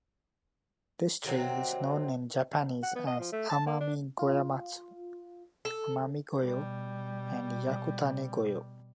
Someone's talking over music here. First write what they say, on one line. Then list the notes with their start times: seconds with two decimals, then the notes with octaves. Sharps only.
This tree is known in Japanese as "amami-goyamatsu", "amami-goyo", and "yakutane-goyo".
1.24 C3 D#3 F#3 C4
2.83 F#5
2.96 B3
3.07 D#5
3.20 F3
3.33 A3
3.50 A5
3.66 A#3
3.81 D4
4.19 F4
5.65 A4
6.41 B2 G3